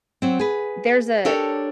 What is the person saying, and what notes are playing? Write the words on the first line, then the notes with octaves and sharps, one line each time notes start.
there's a
F#3 C4
G#4 B4
D4 G4 A4 A#4 C#5